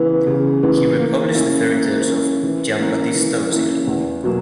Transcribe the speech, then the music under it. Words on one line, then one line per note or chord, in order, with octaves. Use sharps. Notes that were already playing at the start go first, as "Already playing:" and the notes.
He republished the fairy tales of Giambattista Basile.
Already playing: C#3 E3 B3
C#3
E3 B3
A#3
C#4 E4
A#3
C#4 E4
E3
A#3 C#4 E4 A#4
E3
A#3 C#4 E4 A#4
E2
B2 F#3 A#3